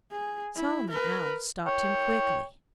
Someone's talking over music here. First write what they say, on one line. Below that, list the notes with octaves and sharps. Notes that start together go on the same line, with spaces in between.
Solomon Owl stopped him quickly.
G#4
E4
A#4 B4
C#5 G5